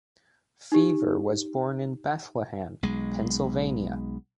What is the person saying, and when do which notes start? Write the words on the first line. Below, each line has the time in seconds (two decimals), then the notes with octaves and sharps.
Feaver was born in Bethlehem, Pennsylvania.
0.72 D#4 G4
2.83 B1 G#3